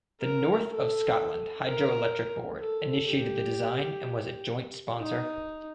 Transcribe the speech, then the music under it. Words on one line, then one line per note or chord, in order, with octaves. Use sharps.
The North of Scotland Hydro-Electric Board initiated the design and was a joint sponsor.
A#4
A4
A#4
A4
G4
D#4